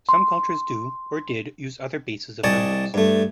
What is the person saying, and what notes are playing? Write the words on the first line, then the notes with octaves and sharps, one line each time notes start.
Some cultures do, or did, use other bases of numbers.
C6
C2 D5 D#5 G#5 A5 C#6
G2 A3